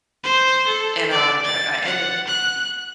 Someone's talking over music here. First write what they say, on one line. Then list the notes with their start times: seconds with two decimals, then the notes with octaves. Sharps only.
and, uh, I I ended
0.24 C5
0.67 A4
1.11 D5
1.44 A6
1.84 F#5
2.27 F#6